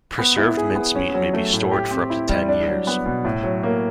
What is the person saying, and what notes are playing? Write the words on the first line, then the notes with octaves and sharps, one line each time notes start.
Preserved mincemeat may be stored for up to ten years.
B3
E4
G#4
B3
C#4
F#3
A3
A2
G4
C4
E4
G3
D4
F#3
B3
B2
A2
F#3
A#3